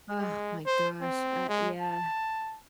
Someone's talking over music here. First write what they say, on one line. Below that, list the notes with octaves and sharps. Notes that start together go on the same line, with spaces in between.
Ugh, my gosh, uh, yeah.
G#3
C5
C4
G#3
A5